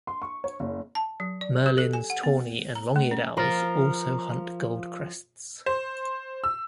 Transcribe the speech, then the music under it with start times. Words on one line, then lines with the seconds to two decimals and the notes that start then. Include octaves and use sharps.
Merlins, tawny and long-eared owls also hunt goldcrests.
0.07 C6
0.22 C#6
0.44 C#5
0.60 F#1
0.95 A5
1.20 F#3
1.41 D5
1.66 G4
1.78 A4
1.93 G#5
2.10 F#5
2.23 B3
2.75 A#5
2.96 A3
3.11 C#4
3.37 F3 F4 A#4
5.66 C5
6.44 E6